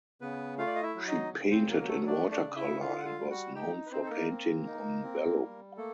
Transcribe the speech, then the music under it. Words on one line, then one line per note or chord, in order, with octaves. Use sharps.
She painted in watercolour and was known for painting on vellum.
C#3 B3 B4
A3 F4 F5
D5
D#5
E4 E5
F#3
D#4 D#5
C#3
C4 C5
F#3 A#3 A#4
A3 A4
A3 D4 D5
D4 D5
C#3
E4 E5
D3 F4 F5
F#5
F4 F5
G3
F#4 F#5
D#4 G4 G5
B4
C4 D#4 C5
A4
A#3 A#4
C4
D#4
C4
G3
A3 A#3 A4